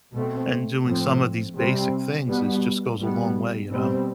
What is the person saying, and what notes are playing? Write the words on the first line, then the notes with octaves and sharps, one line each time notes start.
and doing some of these basic things is just goes a long way, you know?
B2 A3 C4
A2 F3 C4
C3 G3 C4
B2 G3 B3
B2 G3 B3
B2 G3 C4